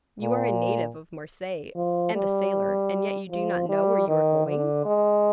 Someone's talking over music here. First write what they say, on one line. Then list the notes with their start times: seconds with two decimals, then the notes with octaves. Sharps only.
"You are a native of Marseilles, and a sailor, and yet you do not know where you are going?"
0.21 A#2
1.76 F3
2.15 G3
3.30 F3
3.69 G3
4.08 D#3
4.47 D3
4.85 G#3